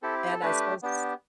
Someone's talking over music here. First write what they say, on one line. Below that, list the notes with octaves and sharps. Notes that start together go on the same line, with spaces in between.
and I suppose
C4 E4 G4 A4
A4
A3 D4 G4 B4
B3 D4 G4